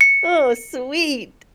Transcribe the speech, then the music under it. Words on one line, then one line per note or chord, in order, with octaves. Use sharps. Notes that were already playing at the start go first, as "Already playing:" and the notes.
Oh, sweet.
C#7